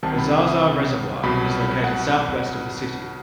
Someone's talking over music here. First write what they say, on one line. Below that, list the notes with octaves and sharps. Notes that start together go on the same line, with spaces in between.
The Zaza Reservoir is located southwest of the city.
C2 C3 D#3 A5
B5
D#6
C2 B2 F#3 B5
F#5